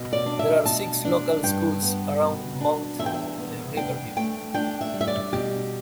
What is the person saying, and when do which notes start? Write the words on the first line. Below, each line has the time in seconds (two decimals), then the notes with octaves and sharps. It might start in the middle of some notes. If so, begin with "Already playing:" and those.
There are six local schools around Mount Riverview.
Already playing: B2
0.13 D5
0.26 D4
0.39 E5
0.65 B2 A5
1.05 D4
1.43 G2 G5
1.82 B3
2.21 B2
2.60 D4
2.99 E2 E5
3.06 G5
3.14 E5
3.38 B3
3.77 D4 G5
4.16 A3 G5
4.54 D4 G5
4.81 E5
4.94 G3
5.01 E5
5.07 D5
5.32 B2 G4